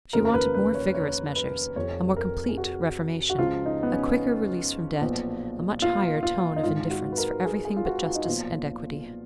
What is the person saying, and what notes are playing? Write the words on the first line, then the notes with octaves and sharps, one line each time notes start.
She wanted more vigorous measures, a more complete reformation, a quicker release from debt, a much higher tone of indifference for everything but justice and equity.
F1 D#2 C#3 F3 A#4
A#4
B4
B4
C#5
C#5
B4
F1 F2 F3 C#5
A#4
G#4
F#4
F#4
C#2 C#3 F3 F4
D#4
B3
C#4
B1 A#2 F3
F4
F4
D#4
G#1 G#2 D#3 F4
F#4
B4
A#4
G#4
G#4
F4
F#4
F4
D#4
B1 A#2 F3 F4